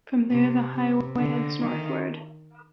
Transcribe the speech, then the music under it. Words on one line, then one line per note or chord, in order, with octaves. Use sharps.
From there the highway heads northward.
C3
C3
D3
D#3